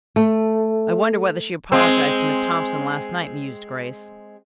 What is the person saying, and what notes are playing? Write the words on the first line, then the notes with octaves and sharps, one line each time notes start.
"I wonder whether she apologized to Miss Thompson last night," mused Grace.
A3
G#3 C4